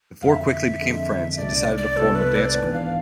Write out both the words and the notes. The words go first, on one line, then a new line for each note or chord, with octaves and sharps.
The four quickly became friends and decided to form a dance group.
F2 D3 G#3 E5 F5
F2 D3 G#3
C2 B2 A3 D4 D5
D5
C2 B2 A3 D4 A4
B4
D5
G#1 G#2 E3 B3 D4 B4
F5